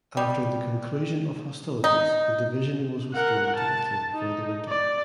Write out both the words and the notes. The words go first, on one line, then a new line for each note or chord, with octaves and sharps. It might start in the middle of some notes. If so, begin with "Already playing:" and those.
After the conclusion of hostilities the division was withdrawn to Italy for the winter.
G3
D#4
A#4 F#5
A5
D#4
D5